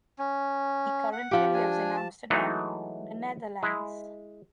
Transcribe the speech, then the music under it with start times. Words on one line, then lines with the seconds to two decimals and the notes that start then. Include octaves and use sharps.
He currently lives in Amsterdam, the Netherlands.
0.19 C#4
1.12 F#5
1.31 F3 G4
1.54 D4 G#5
1.97 A5
2.30 E3 F#3 G#3 A3 D#4
3.63 G#3 E4